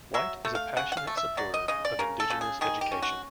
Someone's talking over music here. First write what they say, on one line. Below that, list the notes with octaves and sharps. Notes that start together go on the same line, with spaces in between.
White is a passionate supporter of indigenous education.
F#3 E5
A3
F5
C#3 F#5
F#5
F5
A3
E5
F#3 D5
D#5
C#3 D#5
D5
C#3 A#4
A4
C#3
G#4
D#3 G#4
G4
C#4
F#4